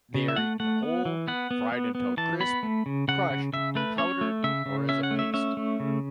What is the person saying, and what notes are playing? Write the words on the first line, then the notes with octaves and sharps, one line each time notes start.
They are eaten whole, fried until crisp, crushed, powdered or as a paste.
C#3
E5
A3 F#5
A3 F#5
B3
E3
B3 F#5
B3
B3
B3
E3 A5
B3 B5
A3
C#3
C#3 F#5
C#3
C#3 E5
A3 B4
C#4 C#5
A3
C#3 E5
C#3
C#4 E5
F#5
A3
E5
C#4 E5
A3
C#3